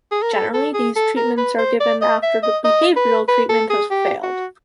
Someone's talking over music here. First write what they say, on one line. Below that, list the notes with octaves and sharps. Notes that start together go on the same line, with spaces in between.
Generally, these treatments are given after the behavioral treatment has failed.
G#4
A#4
A4
A4
G#4
A4
A#4
B4
C5
D5
D#5
E5
D#5
D#5
B4
B4
A4
G#4
G4
F#4